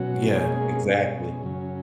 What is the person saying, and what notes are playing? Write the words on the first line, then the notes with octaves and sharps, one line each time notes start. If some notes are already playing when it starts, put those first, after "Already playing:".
Yeah. Exactly.
Already playing: B2 F#3 C#4 F#4
B2 G#3 A#3 C#4 G#4
B2 G#3 C#4
F#2 C#3 F#3 C#4